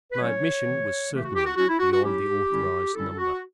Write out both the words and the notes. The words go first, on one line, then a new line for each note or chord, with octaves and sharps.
My admission was certainly beyond the authorised number.
B4
F#3 A3 C#4 E4 C#5
C#3 E3 A3
C#3 E3 A3 G4
F#4
G4
F#4
F#3 C#4 E4 F#4
E4
F#4
F#4
F#3 C#4 E4 G4
D3 G3 C#4 E4
D3 G3 C#4 E4 A4
F#4